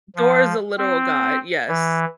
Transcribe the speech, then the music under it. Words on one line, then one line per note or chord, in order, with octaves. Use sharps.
Thor is a literal god, yes.
F3
C4
E3